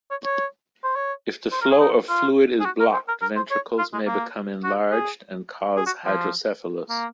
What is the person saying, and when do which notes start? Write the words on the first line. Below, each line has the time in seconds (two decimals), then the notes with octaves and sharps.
If the flow of fluid is blocked ventricles may become enlarged and cause hydrocephalus.
0.10 C#5
0.24 C#5
0.84 C5
0.96 C#5
1.52 C5
1.61 A#4
1.70 G#4
1.80 D#4
2.09 F4
2.60 G#4
2.65 F#4
2.80 A#4
2.93 C5
3.08 A#4
3.21 A#4
3.36 C5
3.50 C#5
3.78 F4
3.93 G#3
4.06 A#3
4.64 F#4
4.91 G#4
5.77 G#4
5.86 F#4
6.05 F3
6.89 A#3